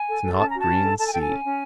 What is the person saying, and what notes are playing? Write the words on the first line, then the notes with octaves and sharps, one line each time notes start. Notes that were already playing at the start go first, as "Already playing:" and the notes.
The snotgreen sea.
Already playing: G#5
A4
A4
C#4 A5
F#4 A#5
A5
C#4
A4
A4 A5
G#5
A4 G5
G#5
C#4
C#4